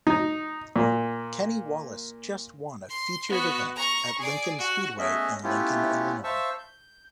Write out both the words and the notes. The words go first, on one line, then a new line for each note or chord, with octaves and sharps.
Kenny Wallace just won a featured event at Lincoln Speedway in Lincoln, Illinois.
D#4
A#2
C6
B3 F#4
A#5 C#6
G#4 D5
F#4
A3 B3 C#4 G#4 D#5 E5
A3 B3 C#4 E4 F4 G4
C5 E5 F5 A5 C#6 E6
G6